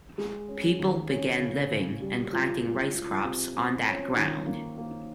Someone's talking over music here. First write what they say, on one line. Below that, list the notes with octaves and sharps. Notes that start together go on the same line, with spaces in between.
People began living and planting rice crops on that ground.
G#3
C#4
D#2
C#4
C#3
C#3
G3
C#2
C#2
C#2
C3
C4
C#4
D#3
A#3
A#3